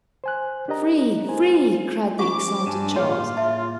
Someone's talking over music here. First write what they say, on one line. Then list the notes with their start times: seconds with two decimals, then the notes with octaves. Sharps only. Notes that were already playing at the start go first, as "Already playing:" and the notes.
"Free! free!" cried the excited Charles.
0.24 C5 G#5 F#6
0.68 D4 G4 A#4 D#5 A#5
1.28 C5 G#5
2.19 F3 C#4 F4 G4 F#5 C#6 D6
2.66 G2 G#5 A5
2.96 A2 A#3 F4 G#4 C#5
3.37 E5 A5